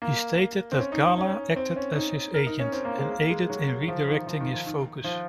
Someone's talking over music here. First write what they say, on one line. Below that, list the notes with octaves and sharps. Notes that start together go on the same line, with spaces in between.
He stated that Gala acted as his agent, and aided in redirecting his focus.
A#3
C4
C#4
D#4
D#4
C#4
C4
C#4
D#4
A#4
D#4
C#4
C4
A#3
G#3
A#3
G#3
F#3
F#3
F3
D#3
F3
D#3
F3
D#3
F3